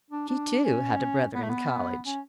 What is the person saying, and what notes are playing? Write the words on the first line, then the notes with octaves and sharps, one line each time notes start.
She, too, had a brother in College.
D4
D4
C#4
B3
A3
B3
C#4